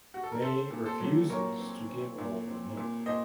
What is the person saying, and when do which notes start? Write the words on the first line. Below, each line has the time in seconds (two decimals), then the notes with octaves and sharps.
Mai refuses to give all the milk.
0.14 F#4
0.23 A4
0.32 A#4
0.41 C4 A4 C5
0.71 A#2
0.85 A4 C5
1.00 F#3
1.30 A#2 A#4 C#5
1.59 C4
1.89 C4
2.18 A#2
2.48 C4
2.77 A#2
3.06 A#2 C5 D#5